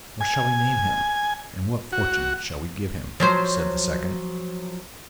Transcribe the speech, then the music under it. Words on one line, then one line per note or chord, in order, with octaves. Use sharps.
What shall we name him, and what fortune shall we give him?' said the second.
G#5
F#4
F3 F#3 C5